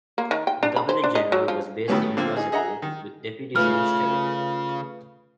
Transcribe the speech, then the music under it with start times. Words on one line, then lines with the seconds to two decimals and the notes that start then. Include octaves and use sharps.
The Governor-General was based in Brazzaville with deputies in each territory.
0.18 A#3
0.31 D#3
0.47 G5
0.63 D4
0.76 B5
0.89 C5
1.04 D4
1.15 D#5
1.32 F#3
1.48 F3
1.88 A2 D#3 F#3 A3 B3 C#4
2.17 D3 F3 A#3 C4
2.36 D#4 G#4
2.52 G#4 D#5 E5 F#5 A#5
2.82 D#3
3.56 C#3 A3 F4 B4 F5 B5 F6